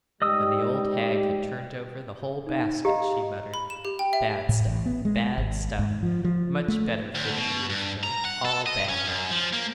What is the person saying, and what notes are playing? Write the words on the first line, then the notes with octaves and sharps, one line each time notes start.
When the old hag had turned over the whole basket she muttered, 'Bad stuff, bad stuff; much better fifty years ago--all bad.'
G#2 G3 G4 D#5 D#6 E6
D#4
G4 D#5 F5 A#5
B5
E7
G4
G5
E5
A2
A1
B3
G#3
G#1
G#2
F3
F3
A3
D2
B2
G2
A#5
F#5
A4
D#5
C#4
F#2
F3
A#3